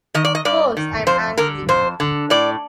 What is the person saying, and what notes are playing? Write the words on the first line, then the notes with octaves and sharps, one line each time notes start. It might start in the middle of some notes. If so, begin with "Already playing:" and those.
Of course I am angry.
D#3 D#5
D5
D#5
G2 D5
D#3
F2 C5
D3 A#4
F2 C5
D3
A2 D5